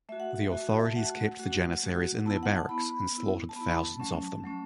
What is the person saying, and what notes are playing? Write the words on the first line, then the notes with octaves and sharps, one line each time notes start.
The authorities kept the Janissaries in their barracks and slaughtered thousands of them.
A3 F#4 E5
F#5
E5
A3 F#4
A5
A3 F#4 F#5
A3 F#4
A3 F#4
B3 E4 A5
F#5
A5
B3 E4 B5
B3
E4
A5
B3 E4 B5
A5
F#3 A3 C#4
F#3 A3 C#4